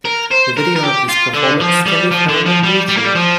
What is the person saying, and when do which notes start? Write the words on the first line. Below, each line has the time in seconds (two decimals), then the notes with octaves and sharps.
The video of this performance can be found on YouTube.
0.05 A#4
0.31 C5
0.57 A#4
0.76 A#4
0.83 G4
1.08 F4
1.34 D3
1.60 F3
1.86 G3
2.12 F3
2.29 D3
2.46 F3
2.63 G3
2.89 G3
2.97 A#3
3.04 G3
3.15 F3